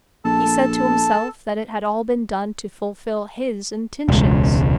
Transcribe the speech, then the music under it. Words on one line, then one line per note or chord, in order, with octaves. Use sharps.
He said to himself that it had all been done to fulfil his intentions.
A#1 A4 A5
E1 C#2